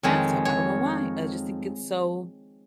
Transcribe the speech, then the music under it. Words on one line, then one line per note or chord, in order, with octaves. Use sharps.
bathtub." I don't know why. I just think it's so
F2 D#3 G#3 C#5
C#5